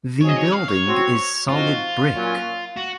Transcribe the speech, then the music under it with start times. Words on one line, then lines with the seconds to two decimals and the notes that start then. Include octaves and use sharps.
The building is solid brick.
0.21 F#3 C4 D#4 G#4 C#5
0.29 D#5
0.37 C#5
0.53 F5
0.68 C#5
0.84 F#3 C4 F#4
1.48 F3 C4 D#4 F4 F#4
2.12 A#2 F#3 C#4
2.77 F#4